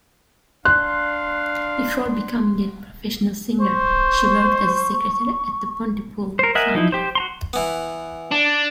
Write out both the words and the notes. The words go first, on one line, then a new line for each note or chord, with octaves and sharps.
Before becoming a professional singer, she worked as a secretary at the Pontypool foundry.
D4 F5 C6 F#6
C5 C#6
A#4 C5
A#4 D#5 E5 F#5 G#5
F3 D#4 E4
G4 C5
F#4 A#5 C6
E3 B3
D4